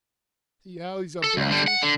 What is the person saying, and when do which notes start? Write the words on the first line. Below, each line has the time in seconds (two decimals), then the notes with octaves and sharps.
See how he's a-blushing!
1.24 A4
1.37 C#2
1.51 D3 G3
1.68 F#5
1.83 D3